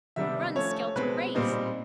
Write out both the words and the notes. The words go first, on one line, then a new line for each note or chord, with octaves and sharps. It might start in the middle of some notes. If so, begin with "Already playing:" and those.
Run, skelter, race.
C3 D#3 G3 B3 D4 E5
F3 A3 C#4 C#5
B2 G#3 C4 B4
A#2 G3 C4 D#4